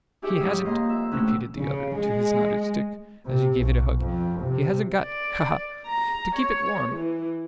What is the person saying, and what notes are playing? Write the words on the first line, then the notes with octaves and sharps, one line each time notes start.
'He hasn't,' repeated the other to his knotted stick, as he gave it a hug; 'he hasn't got--ha!--ha!--to keep it warm!
E4 G4 G#4 C#5 E5 D6
G#2 C#3 D#4 G4 C#5
A#3 C5 D#5 F5 A#5 C6
F2 E5
D2 A2 E3 C#4 E6 F#6
C#3
G#3
C3
B1
F2
C3
D5
A#5
C#5
E3